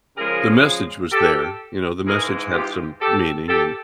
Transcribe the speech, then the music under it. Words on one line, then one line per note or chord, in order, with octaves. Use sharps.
the message was there. You know, the message had some meaning and
C#3 F3 G#3 G#4 A#4
G4 A4
G#2 E3 G#3 G#4 A#4
F4 G4
G4 A4
G4 A4